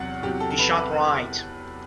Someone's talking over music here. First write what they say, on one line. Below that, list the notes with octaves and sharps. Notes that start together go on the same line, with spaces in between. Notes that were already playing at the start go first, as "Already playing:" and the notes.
He shot right.
Already playing: E2 C3 F#3 F#5
E2 C3 F#3 G4
A4
A4
B4
A4
B4